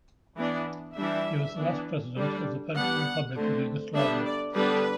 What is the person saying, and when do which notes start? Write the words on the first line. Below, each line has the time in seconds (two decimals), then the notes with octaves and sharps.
He was the last president of the Federal Republic of Yugoslavia.
0.37 E3 B3 D4
0.96 E3 G3 D4 E5
1.56 E3 B3 D4
2.15 D3 G3 D4
2.75 G3 B3 D4 F#5
3.35 D3 A3 C4
3.95 D3 G3 B3 D4 E5
4.25 D5
4.55 D3 G3 B3 D4 B4